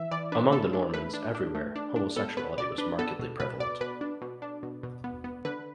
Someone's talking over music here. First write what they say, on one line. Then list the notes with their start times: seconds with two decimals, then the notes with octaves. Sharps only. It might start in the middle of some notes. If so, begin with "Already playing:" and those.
Among the Normans, everywhere, homosexuality was markedly prevalent.
Already playing: E3 E5
0.11 E3 D5
0.32 D4 B4
0.52 A3 A4
0.73 D4
0.94 A3 B4
1.14 D4
1.35 D4
1.55 A3
1.76 D4
1.96 D4
2.16 B3 A4
2.37 B3 B4
2.57 B2 D5
2.78 D4 B4
2.99 B3 A4
3.19 B2
3.40 B2 B4
3.60 B2 D5
3.81 B2 B4
4.01 D4
4.22 B2
4.42 D4
4.63 B2
4.83 B2
5.04 B3
5.24 B3
5.45 D3 B4